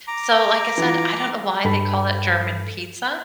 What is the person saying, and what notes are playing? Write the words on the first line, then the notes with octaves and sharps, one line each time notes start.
So, like I said, I don't know why they call it German pizza.
A#5 D6
E3 F4
G2 A4 B5